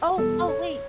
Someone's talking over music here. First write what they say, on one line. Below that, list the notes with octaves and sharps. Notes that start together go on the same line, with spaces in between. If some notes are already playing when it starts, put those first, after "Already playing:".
Oh, oh, wait.
E2 B2 G3 A4
C#5